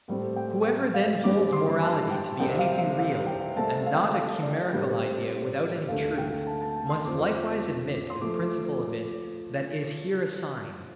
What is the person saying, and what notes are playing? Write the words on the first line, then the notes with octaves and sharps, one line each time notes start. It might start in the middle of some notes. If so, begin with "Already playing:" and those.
Whoever then holds morality to be anything real, and not a chimerical idea without any truth, must likewise admit the principle of it that is here assigned.
A2 G3 C4 A4
G5
G5
F5
G2 G3 C4 D6
C6
A5
G5
C2 C3 G3 C4 G5
F5
F5
F5
G5
C2 C3 A3 C4 A5
A5
F5
G5
F5
D5
A2 G3 C4
D2 D3 A3 F5
G5
A5
A5
A5
C6
F2 F3 C4 D6
C6
F3 A3 D6